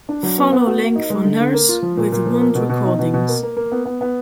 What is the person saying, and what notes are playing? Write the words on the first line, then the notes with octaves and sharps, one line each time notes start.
Follow link for Nurse with Wound recordings.
D4
F#3
B3
B3
F#4
A#3
D#4
G#3
D3
D3
A#3
F4
F3
A#2
A#2
F3
A#3
B2
B2
D#4
B2
B2
A#3
A#3
A#3
B3
B3
B3